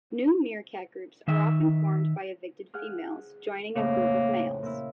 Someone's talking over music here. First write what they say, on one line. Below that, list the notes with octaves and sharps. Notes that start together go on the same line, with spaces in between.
New meerkat groups are often formed by evicted females joining a group of males.
D#3 E5
G#4 F#5 F6
F2 A2 C#3 A#3
A#2 E4